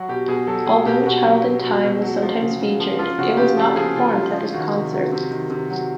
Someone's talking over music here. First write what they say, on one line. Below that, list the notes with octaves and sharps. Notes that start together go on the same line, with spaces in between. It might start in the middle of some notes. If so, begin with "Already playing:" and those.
Although "Child in Time" was sometimes featured, it was not performed at this concert.
Already playing: F#3 F#4
B2 G4
B2 G#4
F#3 A4
F#3 G#4
B2 G4
B2 F#4
F#3
F#3
B2
B2
F#3
F3
C#3
C#3
F3
F3 F4
C#3 F#4
C#3 G4
F3 A4
F3 G#4
C#3 F4
C#3
F3
D#3 F#4
C3
F#3
C3
D#3
C3
F#3